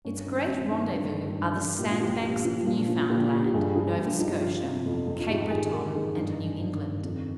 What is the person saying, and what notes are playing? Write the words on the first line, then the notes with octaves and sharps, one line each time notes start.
Its great rendezvous are the sandbanks of Newfoundland, Nova Scotia, Cape Breton, and New England.
G2 C#4
C#4
D#3 D#4
G2 C4
D#3 D#4
G2
D#3
G2
D#3
A#2 G4
F4
F3 G4
A#2
F3
A#2 F4
F3
F4
A#2 G4
F3
G4
G2 G#4
F3 G#4
G2 G4
F3 D#4
F3 F4
C3
F2
F2
F4
G#2 G4
D#3 G#4
G#2 A#4
D#3 G#4
G2 D#4
D#3
G2
D#3
F2 C4